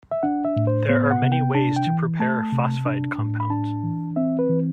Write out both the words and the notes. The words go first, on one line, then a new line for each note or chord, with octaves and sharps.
There are many ways to prepare phosphide compounds.
E5
D4 F#5
E5
A2
C5
B3 C5
F#5
C3
G5
D4 A5
G5
E3
A3 A5
C3
D4
A2
B5
D4 A5
E3
C4 E5
B4
E3